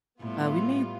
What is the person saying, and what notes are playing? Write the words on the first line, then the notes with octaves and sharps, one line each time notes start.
uh, we made
A2 G3 B3 F4